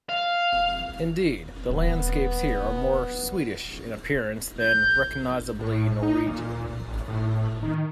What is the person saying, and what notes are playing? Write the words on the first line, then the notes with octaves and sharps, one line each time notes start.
Indeed, the landscapes here are more Swedish in appearance than recognisably Norwegian.
F5
D#1 B3
G6
A2
D#4
A#2
A1
A2
D#3